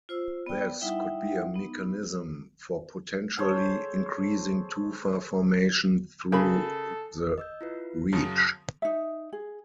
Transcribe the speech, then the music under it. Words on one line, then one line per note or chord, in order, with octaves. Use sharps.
This could be a mechanism for potentially increasing tufa formation through the reach.
F4 C5 E6
B3 D5 G5
G3 D#4 E4 E5 F#5 G5
B3 D#4
G#4 A4 C5 C#5
C#3 A4 A#4 B5
D#5 E6 G6
E4 F4 B4
F#2 C#3 F#3 A5 D#6
D#4 E5
G#4